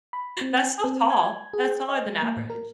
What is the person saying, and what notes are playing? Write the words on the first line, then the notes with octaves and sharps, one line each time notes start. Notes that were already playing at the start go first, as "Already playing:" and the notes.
That's so tall. That's taller than average.
B5
C4
C4
G#6
G#4
D#5
G#3
A#3
A2
A#4